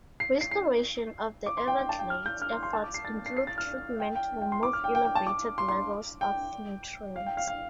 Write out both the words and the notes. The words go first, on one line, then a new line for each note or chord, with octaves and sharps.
Restoration of the Everglades efforts include treatment to remove elevated levels of nutrients.
C7
C7
C7
D6
C6
G5
G5
A5
G5
F6
G6
F6
C6
C6
A5
D6
C7
A6
C7
C7
A6
F6
G5
G5
G5
C6
D6
F6
G5
G5
G5
A5
D6
C6
C6
G5
F5
G5
F5
F5